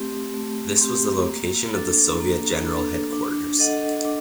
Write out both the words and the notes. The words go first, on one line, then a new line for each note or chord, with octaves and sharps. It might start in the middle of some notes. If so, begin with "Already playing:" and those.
This was the location of the Soviet general headquarters.
Already playing: A3 C4 G4
A3
C4 G4
A#3
D4 A4
A#3
D4 A4
D4
A4 D#5 F#5
D4